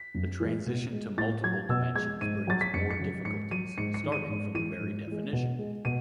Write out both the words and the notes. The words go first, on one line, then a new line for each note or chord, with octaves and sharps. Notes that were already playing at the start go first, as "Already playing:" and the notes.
The transition to multiple dimensions brings more difficulties, starting from the very definition.
Already playing: B6
F#2
E3 G#3
B2
G#3
A2 A6
F#3 G#6
B2 E6
G#3 G#6
G#2 D#7
F#3 A6
B6
F#2 C#7
C#7
C#3 F#3
G#2 C#7
F#3 D#7
G#2 C#7
C#7
D#3 G#3
D#7
G#2
E3 G#3 D#7
G#2
E3 G#3
B2
G#3
B2 D#7